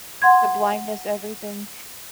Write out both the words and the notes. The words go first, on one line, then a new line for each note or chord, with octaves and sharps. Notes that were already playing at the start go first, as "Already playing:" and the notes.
The blindness, everything.
F#5 C6 G#6